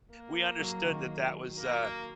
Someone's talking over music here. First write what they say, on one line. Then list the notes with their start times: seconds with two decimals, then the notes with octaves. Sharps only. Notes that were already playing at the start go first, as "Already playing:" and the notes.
we understood that that was, uh,
0.11 A#3
0.59 F#3
0.84 D#3
1.58 A#3